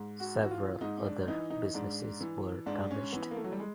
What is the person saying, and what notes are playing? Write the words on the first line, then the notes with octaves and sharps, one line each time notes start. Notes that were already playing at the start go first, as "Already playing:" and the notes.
Several other businesses were damaged.
Already playing: G#2
F#4
E3
F#4
F4
G#2 D#4
D#4
D4
E3 D#4
D#4
G#2 D4
E3
G#2 D4
C#4
E3 B3
A#3
A3
F#3
G3
G#3